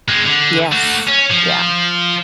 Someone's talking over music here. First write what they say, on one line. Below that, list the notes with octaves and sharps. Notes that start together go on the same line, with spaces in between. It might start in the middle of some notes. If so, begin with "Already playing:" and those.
Yes. Yeah.
G#3 C4
D3
A3 F#4
C#4
F3